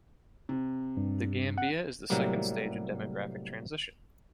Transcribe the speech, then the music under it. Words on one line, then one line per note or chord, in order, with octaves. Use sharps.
The Gambia is in the second stage of demographic transition.
C3
G2
F#5
A2 C3 F#3 G3 A#3